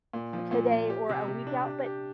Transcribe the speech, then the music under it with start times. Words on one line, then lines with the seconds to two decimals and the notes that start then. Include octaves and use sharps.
today or a week out. But
0.13 A#2
0.33 F3
0.51 A#2
0.71 A#2
0.90 G4
1.09 C3
1.28 C3
1.47 D4
1.66 G4
1.86 G4